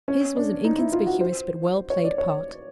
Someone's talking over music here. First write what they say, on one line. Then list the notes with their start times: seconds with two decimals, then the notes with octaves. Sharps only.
His was an inconspicuous but well played part.
0.08 C#4
0.36 D4
0.65 D#4
0.78 E4
0.92 F4
1.06 F#4
1.21 C5
1.90 C#5
2.04 D5
2.18 C#5